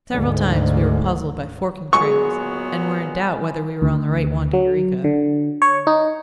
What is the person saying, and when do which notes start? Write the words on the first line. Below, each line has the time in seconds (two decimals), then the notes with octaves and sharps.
Several times we were puzzled by forking trails, and were in doubt whether we were on the right one to Eureka.
0.11 D2 G#2
1.93 A#2 F#3 G#3 B3 C#6
3.82 D2
4.53 F#3
5.04 D3
5.62 C#5
5.87 D#4